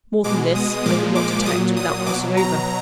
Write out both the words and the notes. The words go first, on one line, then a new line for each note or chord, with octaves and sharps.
More than this I could not detect, without crossing over.
B2 G#3 D6
D#6
A#2 F3 G#3 D6
D6
A#2 F#3 D#6
D#6
B2 F#3 D6
A#5